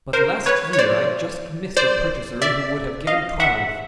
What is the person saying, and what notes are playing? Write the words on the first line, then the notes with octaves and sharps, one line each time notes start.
But last year I just missed a purchaser who would have given twelve.
A#4 C5
B4 C#5
C#5
C5 D5
C5 D5
D5 E5
D#5 F5
E5 F#5